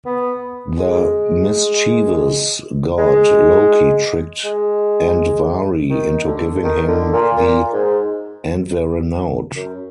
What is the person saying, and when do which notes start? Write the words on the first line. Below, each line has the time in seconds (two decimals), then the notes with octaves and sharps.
The mischievous god Loki tricked Andvari into giving him the Andvaranaut.
0.06 B3
0.79 G#3
2.98 G#3
4.45 G#3
5.90 D#3
6.27 D3
6.64 D#3
6.88 D3
7.13 A#2
7.37 A#2
7.73 G#2
9.56 F#2